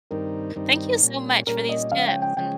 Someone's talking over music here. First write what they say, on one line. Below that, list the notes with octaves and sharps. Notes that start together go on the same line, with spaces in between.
Thank you so much for these tips and
G2 D#3 G3 C4 D#4 A#4
G2 D#3 G3 C4 D#4
A#2 G3 C#4
A#2 G3 C#4 A#4
D#5
C#3 F3 G#3 C#4 F5
G5
G5
C#3 F3 G#3 C#4 G5